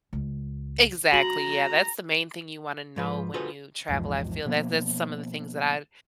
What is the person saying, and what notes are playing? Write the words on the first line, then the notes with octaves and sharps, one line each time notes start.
Exactly, yeah, that's the main thing you wanna know when you travel, I feel that that's some of the things that I'd
C#2
D4 F#4 A#5 F#7
G#2 F3 B4
F4 F#4 G#4 A4 B4 C5
A#1 E2 G#2 F3
B2 F3 A#3 B3